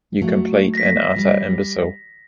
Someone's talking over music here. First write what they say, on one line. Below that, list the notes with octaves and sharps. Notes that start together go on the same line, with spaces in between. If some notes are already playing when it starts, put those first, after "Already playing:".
You complete and utter imbecile.
F#3 A3
A#6 B6
G3